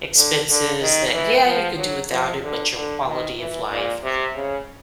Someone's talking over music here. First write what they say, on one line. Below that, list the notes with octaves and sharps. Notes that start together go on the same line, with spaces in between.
expenses that, yeah, you could do without it, but your quality of life
D3
D3
D#3
E3
F3
F#3
F3
D3
D3
D#3
E3
A#2
C3
C#3